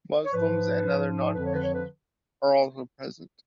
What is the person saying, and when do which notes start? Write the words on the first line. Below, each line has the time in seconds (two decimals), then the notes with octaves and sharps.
Muslims and other Non-Christians are also present.
0.24 C#5
0.33 G#2 F3 B4
0.83 G#2 F3
1.34 F2 D3 F3 B4
1.44 C#5
1.54 B4
1.63 C#5
1.73 B4